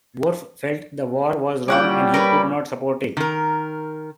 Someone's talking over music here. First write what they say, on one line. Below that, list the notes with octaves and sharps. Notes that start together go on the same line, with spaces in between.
Worf felt the war was wrong and he could not support it.
A#2 G3 C#4 E4 G4 F#5 G5
A#4 B4 B5
D#3 A#4